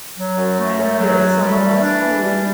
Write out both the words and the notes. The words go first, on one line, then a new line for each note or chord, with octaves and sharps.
and there are some of us who
F#3
F#2
A3
F#2
F#3
F#2
G3
E3
D4
E3
G3